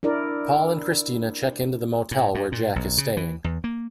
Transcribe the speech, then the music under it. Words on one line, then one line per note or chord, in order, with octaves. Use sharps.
Paul and Cristina check into the motel where Jack is staying.
D4 E4 A#4 D5
A2
G2
A#2
B1
C#3
E3
E2
A#3